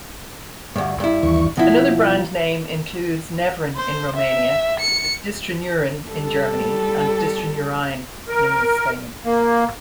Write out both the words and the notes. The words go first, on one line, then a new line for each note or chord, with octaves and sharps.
Another brand name includes Nevrin in Romania, Distraneurin in Germany and Distraneurine in Spain.
D2 G2
G2 E4
D#2 E3 C#6
B2 F3 E4
C5
E5
C#7
G3 A4
A#4
A#3